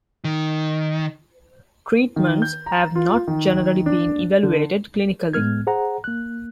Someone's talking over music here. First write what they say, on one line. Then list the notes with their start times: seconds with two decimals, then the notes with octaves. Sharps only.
Treatments have not generally been evaluated clinically.
0.24 D#3
2.16 D#3
2.42 G6
2.66 A#5
2.95 F4
3.28 D#3
3.86 D4
4.43 D3
5.33 A2 G#3 B3 F6 G#6
5.67 G#4 C5 F#5 A#5
6.04 A#3 F#6